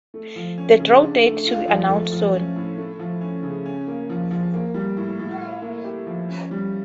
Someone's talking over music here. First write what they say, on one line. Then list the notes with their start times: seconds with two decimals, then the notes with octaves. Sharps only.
The draw date to be announced soon.
0.14 A3
0.36 F3
0.58 C#4
0.80 C#3
1.02 D4
1.24 A3
1.46 F4
1.68 F3
1.89 A3
2.12 F3
2.33 C#4
2.56 A2
2.78 A3
2.99 F3
3.21 C#4
3.43 C#3
3.65 C#4
3.87 A#3
4.09 F3
4.31 F3
4.54 A#3
4.74 G3
4.97 A2
5.19 A2
5.41 E4
5.62 A#3
5.84 G4
6.07 F3
6.29 C#4
6.51 G3